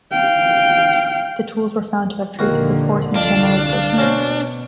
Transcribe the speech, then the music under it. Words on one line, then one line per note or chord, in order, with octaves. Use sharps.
The tools were found to have traces of horse and cameloid protein.
F5 G5
A#1 D#2 D3 F3 A#3 F#4
C2 F2 D4 F5
B2 C#4 F#4 C5